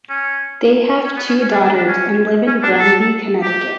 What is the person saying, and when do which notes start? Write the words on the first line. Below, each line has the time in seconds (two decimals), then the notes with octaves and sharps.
They have two daughters and live in Granby, Connecticut.
0.10 C#4
1.05 C#4
1.17 B3
1.28 C#4
1.41 C#4
1.52 D4
1.65 D4
1.76 D4
1.88 C#4
2.47 C#4
2.63 D4
2.79 A4
3.43 G4